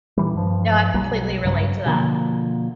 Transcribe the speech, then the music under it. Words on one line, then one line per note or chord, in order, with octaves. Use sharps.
no, I completely relate to that.
A#2 E3 G3
G2 F3
B1 F#3 G3
G2 C#3 F#3
B2 D3 F3 A#3